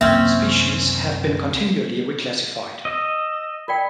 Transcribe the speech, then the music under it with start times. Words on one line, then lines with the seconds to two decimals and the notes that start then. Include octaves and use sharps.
Species have been continually reclassified.
0.01 C2 F#2 E3 A#3 C4 C#4 E5
2.85 D#5 E6
3.68 A#4 D5 G5 B5